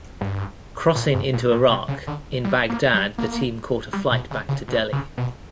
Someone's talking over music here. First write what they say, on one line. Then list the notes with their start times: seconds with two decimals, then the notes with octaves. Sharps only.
Crossing into Iraq, in Baghdad the team caught a flight back to Delhi.
0.21 G2
0.95 A#2
1.14 G2
1.33 A#2
1.51 A#2
1.69 B2
1.88 C#3
2.07 D3
2.44 G3
2.70 A#3
2.94 G3
3.18 A#3
3.93 G3
4.11 B2
4.31 C#3
4.49 C#3
4.68 B2
4.93 C#3
5.18 B2